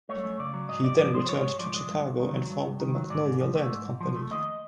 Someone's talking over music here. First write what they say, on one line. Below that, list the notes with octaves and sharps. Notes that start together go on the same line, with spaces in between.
He then returned to Chicago and formed the Magnolia Land Company.
A3 C#5
F#2
C#3 D5
F#3
G#2 D#5
G#2 D5
F3 D5
G#3 C5
G#2 C#5
G#2
F3 D5
G#3
G2
G2
D#3
F#3
G2
G2
D#3
F#3
G#2 D5
G#2
F3
A3
G#2
G#2
F3
A3
D#2 D#5